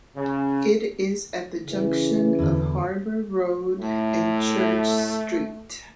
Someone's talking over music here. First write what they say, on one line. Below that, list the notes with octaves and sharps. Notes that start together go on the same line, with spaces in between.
It is at the junction of Harbour Road and Church Street.
C#3
C#3 E3
E2 B2 D3
A2 A3